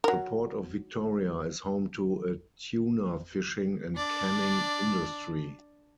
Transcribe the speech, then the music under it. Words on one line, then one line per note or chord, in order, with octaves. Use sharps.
The Port of Victoria is home to a tuna fishing and canning industry.
F#3 A#4
D4 D5